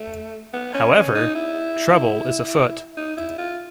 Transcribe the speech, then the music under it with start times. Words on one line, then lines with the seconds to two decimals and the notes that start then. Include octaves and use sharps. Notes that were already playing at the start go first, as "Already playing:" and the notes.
However, trouble is afoot.
Already playing: A3
0.53 B3
0.74 C#4
0.94 C#4
1.15 D#4
1.35 E4
2.97 D#4
3.17 E4
3.38 F4